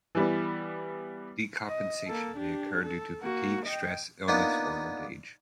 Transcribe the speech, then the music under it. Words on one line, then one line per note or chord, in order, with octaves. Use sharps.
Decompensation may occur due to fatigue, stress, illness, or old age.
E3 G3 B3
D#5
A#3 A4
D4 G4
A4
A#3 F#4
D#5 G5
A#3 B3 D4 D#4 F4